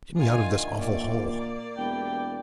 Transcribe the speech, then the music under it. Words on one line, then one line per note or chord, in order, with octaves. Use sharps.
"Get me out of this awful hole."
D3 D#3 A3 F4 G#5
A#2 A#3 D5
E1 E4 G4 G5